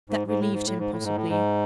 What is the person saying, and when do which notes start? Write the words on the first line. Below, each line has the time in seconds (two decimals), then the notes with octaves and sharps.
That relieved him, possibly.
0.10 G#2
0.27 G#2
0.40 A2
0.53 G#2
0.66 A2
0.78 G#2
0.91 A2
1.03 G#2
1.16 A2
1.29 G#2